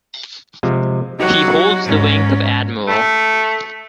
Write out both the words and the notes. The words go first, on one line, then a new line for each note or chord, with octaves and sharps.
He holds the rank of Admiral.
C3 F3 G#3
F#3 D#4 F#4 G4
G#2 C#4
A3